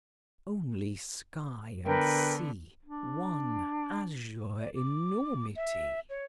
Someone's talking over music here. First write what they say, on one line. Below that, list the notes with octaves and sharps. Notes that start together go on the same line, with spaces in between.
Only sky and sea,--one azure enormity...
D3 B3 A#4 B4 G5
D4
D5
D6
E5
C#5